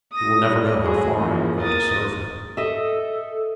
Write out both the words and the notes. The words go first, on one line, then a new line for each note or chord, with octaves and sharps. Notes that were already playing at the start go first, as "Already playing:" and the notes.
He will never know how far I will go to serve him.
D#6 A#6
G3
F#3 A3 F#4 G#4
C#3 E3 F3 A#3
A#3 A#4 D#6 A6
A4 D#5 E5